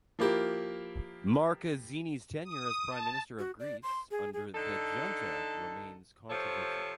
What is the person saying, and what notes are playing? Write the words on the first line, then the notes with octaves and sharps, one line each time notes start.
Markezinis's tenure as Prime Minister of Greece under the Junta remains controversial.
F3 A#3 E4 G4 A#4
D#6
A5
F#4
D5
C6
G#4
G#4
D3 D#4 A4
C3 F3 A4 C#5